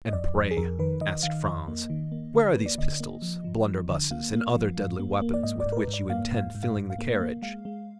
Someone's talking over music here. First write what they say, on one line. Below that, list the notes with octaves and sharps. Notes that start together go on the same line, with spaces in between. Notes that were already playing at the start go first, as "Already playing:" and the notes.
"And pray," asked Franz, "where are these pistols, blunderbusses, and other deadly weapons with which you intend filling the carriage?"
D#5
F2 D5
F2
G#4
F2 A#4
D#3 B4
D#3 D#5
D#3 F5
F2 D#5
A#3
D#3
A#3
D3
A#3 B4
D5
D3 D#5
A#3
F3
F3
F3
D3
A#3 F5
A#3
F3
G#2
A#3
A#3
D5
G#2 D#5
D5
G#2
A#4
B4
G#2
D5
A#3 F5
G#2 F5
G#2
F5
G#2
F5
A#3
A#3
G#3 F5
G#3